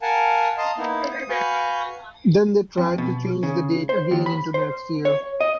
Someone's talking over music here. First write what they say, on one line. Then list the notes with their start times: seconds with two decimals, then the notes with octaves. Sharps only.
Then they tried to change the date again into next year.
0.02 A#4 F5 F#5 G#5 A5
0.58 D#5 F5 A5 A#5 C6 D#6
0.78 A#3 B3 D#4 E4
1.12 D#6
1.29 F#4 B4 F5 G#5 C#6 G6
2.77 F2
2.98 B2
3.43 C#3
3.89 C5
4.11 D#2
4.26 B5
4.54 C5
5.05 C#5
5.40 D#5